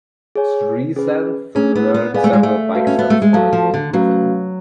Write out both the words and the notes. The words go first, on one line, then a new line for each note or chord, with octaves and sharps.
Sreesanth learned several bike stunts for his role in the film.
G#4 C#5 G#5
C#4 G#4 B4
A3 C#4 D4 G#4
B3
B3
B3 G#4 D5 F5 G#5
A3
G#3
A3
F#4 B4 F5 A5
C#4
B3
A3
G#3
F#3 F#4 A4 F5 A5
F3
D3
F#3 A3 C#4 F#4 B4 F5